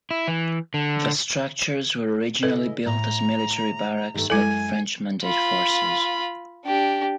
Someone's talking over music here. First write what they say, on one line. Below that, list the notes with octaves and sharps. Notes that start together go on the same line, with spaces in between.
The structures were originally built as military barracks by the French Mandate forces.
E4
E3
D3
C#3 E4 A4 B4 D#5
A2 A#5
G2 D#3 A3
F#2 G#3 E4 A4 G#5
F4 B5
D4 G4